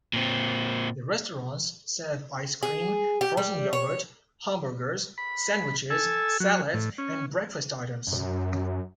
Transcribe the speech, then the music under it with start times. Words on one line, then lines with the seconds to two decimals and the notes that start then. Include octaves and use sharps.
The restaurants serve ice cream, frozen yogurt, hamburgers, sandwiches, salads and breakfast items.
0.13 A#2 C4
2.63 G#4
3.21 G4
3.37 G3
3.73 C#5
5.18 B5
5.90 A4 G#5 E6
6.40 F#3
6.74 A2
6.98 C#4
8.07 F#2